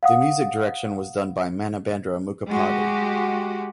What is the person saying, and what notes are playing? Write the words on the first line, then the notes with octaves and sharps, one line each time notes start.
The music direction was done by Manabendra Mukhopadhyay.
F5 F#5 D#6
G#3 F#4 G4